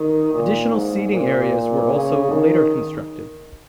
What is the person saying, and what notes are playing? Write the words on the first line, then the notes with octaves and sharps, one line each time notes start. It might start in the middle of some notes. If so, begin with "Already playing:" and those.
Additional seating areas were also later constructed.
Already playing: D#3
A#2
G#2
A#2
C#3
D#3